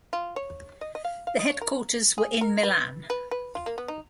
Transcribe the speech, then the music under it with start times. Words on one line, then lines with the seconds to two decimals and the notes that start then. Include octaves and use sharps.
The headquarters were in Milan.
0.13 F4
0.36 C#5
0.81 D#5
0.95 D#5
1.05 F5
1.27 F5
1.39 D#5
1.50 C#5
1.61 A#4
2.18 G#4
2.41 A#4
2.63 B4
3.10 B4
3.31 B4
3.55 F4
3.66 A#3
3.78 B3
3.88 D#4